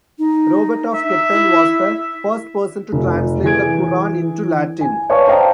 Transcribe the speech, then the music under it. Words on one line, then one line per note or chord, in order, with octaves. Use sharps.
Robert of Ketton was the first person to translate the Qur'an into Latin.
D#4
E5
E4
F1
E3 G#4 G#6 D7
G#5
B4 C#5 D5 F5 A5 C#6
C5 D#5 F5 G5 A5 A#5